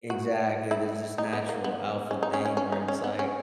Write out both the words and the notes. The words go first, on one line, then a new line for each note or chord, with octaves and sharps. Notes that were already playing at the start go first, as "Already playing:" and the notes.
exactly. There's this natural alpha thing where it's like
F#4
E4
D#4
B3
A#3
B3
C#4
D#4
C#4
C#4
C#4
D#4
C#4
B3
C#4